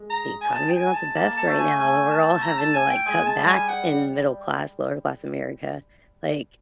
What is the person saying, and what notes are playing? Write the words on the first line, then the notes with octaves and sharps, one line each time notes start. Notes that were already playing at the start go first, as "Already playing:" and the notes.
The economy's not the best right now and we're all having to, like, cut back in middle-class, lower-class America, like,
Already playing: G#3
A#5
G#5
A5
G5
G#5
A5
A#3 A5
A5
A3
G#5
A3 G#5
A5
A#5
A5
G#5
G5
G#3 G#5
A5
G3
G#5
F#5